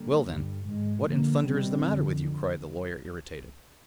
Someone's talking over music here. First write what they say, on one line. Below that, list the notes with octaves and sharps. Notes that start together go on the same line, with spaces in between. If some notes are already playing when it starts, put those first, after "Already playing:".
"Well, then, what in thunder is the matter with you?" cried the Lawyer, irritated.
Already playing: D3 G3 A#3
G2 D3 G3
G#2 D#3 G#3
D3 F3 A#3
C3 D#3 G3 C4
F2 D3 F3